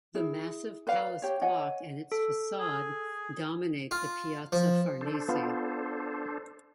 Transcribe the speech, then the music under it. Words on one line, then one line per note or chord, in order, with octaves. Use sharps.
The massive palace block and its facade dominate the Piazza Farnese.
E4 G#4
B4 D5 F5
G4 C#5
C#5 D#5 F#5 G#5
A4
G#4
F4
F3
D4 A4 C5
B3 F4